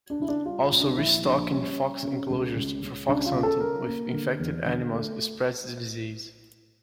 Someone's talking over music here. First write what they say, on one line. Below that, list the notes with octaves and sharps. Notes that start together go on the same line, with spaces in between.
Also, restocking fox enclosures for fox hunting with infected animals spreads the disease.
D4
C#3 E4
D4
G3 F4
F4
C#2
D4
A#1 E4
A#1 D4
G3 C#4
G3
C#3
C#2
C#2
C#3
C#2 D4
F4
C#3
A4
C#3 A#4
A#3
D3
E2
D3
A3